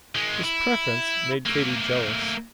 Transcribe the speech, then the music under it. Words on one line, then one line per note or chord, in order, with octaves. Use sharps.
This preference made Katy jealous.
D#3 G#3
E4
A3 A#3